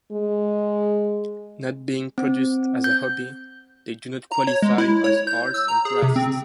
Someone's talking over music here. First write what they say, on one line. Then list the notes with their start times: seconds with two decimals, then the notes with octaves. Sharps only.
Not being produced as a hobby, they do not qualify as arts and crafts.
0.12 G#3
2.18 C4
2.84 G6
4.32 A#5
4.47 C#5
4.62 G#3
4.78 E4
5.04 C#5
5.27 G6
5.54 E6
5.68 A#5
5.85 G#4
6.03 C3
6.16 C4